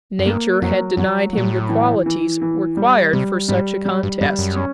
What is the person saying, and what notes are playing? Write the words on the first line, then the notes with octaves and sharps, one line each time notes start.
Nature had denied him the qualities required for such a contest.
F#2
G2 A#3
F2 F#3
F#2 F#3
A#2 F#3
A2
E3
E3
E3
G3
C3 G3
G#2 G3
G3
G2
F#2 G3
F#2
C#4